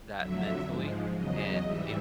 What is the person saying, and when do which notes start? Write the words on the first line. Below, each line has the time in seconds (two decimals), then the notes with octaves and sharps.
that mentally and it's
0.18 F2 D3 F#3 E5
0.67 G#2 F3 G#3
1.15 E2 C#3 F#3 D#5
1.65 G#2 E3 G3 E5